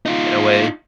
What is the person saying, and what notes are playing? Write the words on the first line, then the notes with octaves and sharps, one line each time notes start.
in a way.
D#4 F4